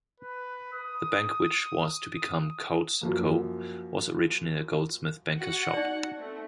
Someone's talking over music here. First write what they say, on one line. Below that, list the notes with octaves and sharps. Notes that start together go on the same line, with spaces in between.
The bank which was to become Coutts and Co, was originally a goldsmith-banker's shop.
B4
D#6
F#2 F3 A#3
F#4 F#5
D#4 D5
A3 C4